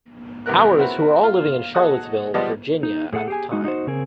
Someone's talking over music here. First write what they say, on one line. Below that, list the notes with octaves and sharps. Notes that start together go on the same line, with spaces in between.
Ours who were all living in Charlottesville, Virginia at the time.
E2 G2 C3 B3 A#4 F#6
C4 E4 F#4 A#4 B4
F4
F#4 G#4 A4 D#5 F#5 D#6
F3 G3 G#3 B3 D5 D#5
D#4
A2 G#4 A4 F#5
G4 G#4 G#5
G#3 D#4 F#4
D#4 F#4 C5
C#3 C4 G#4 A#4